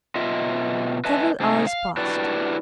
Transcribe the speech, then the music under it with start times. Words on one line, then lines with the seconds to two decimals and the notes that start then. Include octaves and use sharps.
Several hours passed.
0.15 B2 F4 D#5 E5
1.05 B4 D#5 E5 G#5 A5
1.40 G#2 C3 D#4 G#4
1.67 F5
1.97 D4 E4 F#4 G4 B4 D5